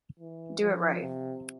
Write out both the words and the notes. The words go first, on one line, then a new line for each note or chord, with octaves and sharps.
Do it right.
E3
F3
C3